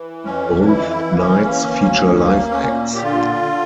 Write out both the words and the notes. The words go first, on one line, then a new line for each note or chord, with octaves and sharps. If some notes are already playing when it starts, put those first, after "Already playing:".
Both nights feature live acts.
Already playing: E3
F2 C#4
D4
E3 E4
E4
E3
A#3
C#4
A#3
D2
C#4
A#3
C#4
A#2
G4
D3 F4
D3